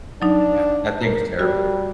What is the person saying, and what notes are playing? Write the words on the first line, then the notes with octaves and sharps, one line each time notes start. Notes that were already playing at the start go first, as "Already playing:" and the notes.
Yeah. That thing was terrible.
F#3 D4 D#4
A#4
G3 F#4